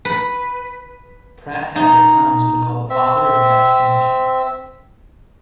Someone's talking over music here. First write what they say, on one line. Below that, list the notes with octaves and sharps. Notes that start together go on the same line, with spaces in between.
Pratt has at times been called the father of the Mexican mission.
B4
D#4
C4 E5